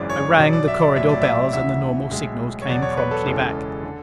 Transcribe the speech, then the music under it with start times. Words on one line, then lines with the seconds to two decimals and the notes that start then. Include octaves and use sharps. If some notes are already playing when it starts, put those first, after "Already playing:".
I rang the corridor bells, and the normal signals came promptly back.
Already playing: G#1 F#2 C#3 E3 G#3 D5
0.10 C#5
0.38 B1 B2 F#3 D5
0.53 D5
0.68 E5
0.82 D5
0.96 B1 A2 F#3 E5
1.10 D5
1.21 E5
1.53 D2 C#3 E3 E5
2.11 B1 A2 G#3
2.62 C#5
2.69 E1 E2 B2 F#3 D5
2.82 C#5
2.97 B4
3.11 A4
3.26 F#1 E2 C#3 E3 G#3
3.83 D3